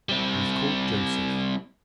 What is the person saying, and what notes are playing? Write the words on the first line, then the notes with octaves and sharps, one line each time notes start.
He was called Joseph.
G3 C4